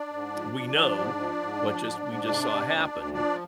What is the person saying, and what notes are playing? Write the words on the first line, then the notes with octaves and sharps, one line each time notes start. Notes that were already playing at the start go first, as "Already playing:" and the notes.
we know what just we just saw happened
Already playing: D4 D5
G#2
F3
F3
F3
G#2
F3
G#2
F3
G#2
G#2
C3
C3
D2
D2
F3 D4 D5